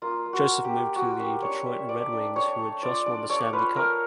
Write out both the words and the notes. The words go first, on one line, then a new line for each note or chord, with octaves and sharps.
Joseph moved to the Detroit Red Wings, who had just won the Stanley Cup.
A#3 F4
A#3
F#4
A#3
G4
A#3
F4 F#4
A#3 G4
D4 C#5
A#3 E5
A3 D5
D4
A3 C#5
A3
F4 D5
D4 D5
A3 C#5
F4 B4
A3 A#4